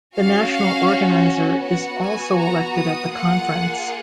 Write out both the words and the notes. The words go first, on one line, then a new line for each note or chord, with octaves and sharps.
The National Organiser is also elected at the conference.
C#4 F#4 F5
F5
B3 F#4 F#5
G#5
A#5
D#6
A#3 F4 G#4 F#5